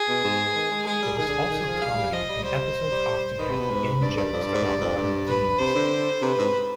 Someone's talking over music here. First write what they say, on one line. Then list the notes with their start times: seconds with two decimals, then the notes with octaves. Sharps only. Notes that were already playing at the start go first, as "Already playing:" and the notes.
There was also comedy and episodes often had "in-jokes" about modern themes.
Already playing: G#4
0.09 B2
0.24 G#2
0.56 D#3
0.71 G#3
0.87 G#3 G#4
1.02 G3
1.18 D#3 G#4
1.28 D3
1.39 D3
1.50 D#3
1.66 F3
1.81 G3 F5
1.92 G#3
1.96 G3
2.12 F3 D#5
2.29 G3
2.44 G3 C5
2.91 G3
3.38 D#3 B4
3.49 C3
3.60 B2
3.70 G#2
4.01 G2 D5
4.17 G2
4.33 F2
4.43 G2
4.54 G#2
4.64 G2
4.81 F2
4.96 G2
5.28 B4
5.58 C3 C5
5.75 D3
6.21 C3 B4
6.38 G#2